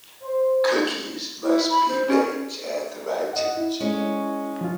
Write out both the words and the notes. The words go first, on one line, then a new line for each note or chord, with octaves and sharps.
Cookies must be baked at the right temperature.
C5
E4
B5
C5
C#4
D#5 F#5
E4
G#3 C#4
F3 F4